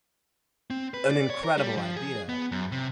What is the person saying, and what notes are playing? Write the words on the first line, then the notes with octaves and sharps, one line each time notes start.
an incredible idea,
C4
B4
D5
C#5
A#4
G3
F3
G#4
B3
F#2
C3